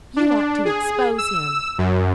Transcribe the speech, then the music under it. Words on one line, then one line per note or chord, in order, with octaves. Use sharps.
"You ought to expose him."
D4
G#4
E6
F#2